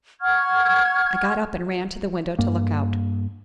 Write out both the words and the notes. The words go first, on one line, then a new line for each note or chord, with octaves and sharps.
I got up, and ran to the window to look out.
F#5 C#6 F6 G#6
G2 A#3